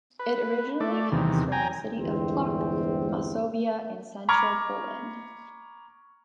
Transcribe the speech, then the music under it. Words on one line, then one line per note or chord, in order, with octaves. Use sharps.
It originally comes from the city of Plock, Masovia in central Poland.
B4
A3 D5
E2 C3 D#3
G5 G#5 A#5
G1 E2 C3 G#3 C4 C5
A#5 B5 C#6 D6 F6 G#6